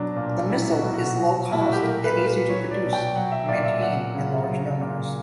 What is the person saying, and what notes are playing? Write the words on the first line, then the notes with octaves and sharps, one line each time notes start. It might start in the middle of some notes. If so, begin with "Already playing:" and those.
The missile is low cost and easy to produce and maintain in large numbers.
Already playing: B2 F#3 D4
A#2
F#3 E4
F#4
B2
F#4
F#3 F#4
A#2 E4
F#4
G4
F#3 A#4
B4
A#2
B4
F#3 C#5
D5
B2
G5
F#3 F#5
E5
A#2 D5
E5
F#3 F#5
C#3
F#3
A#2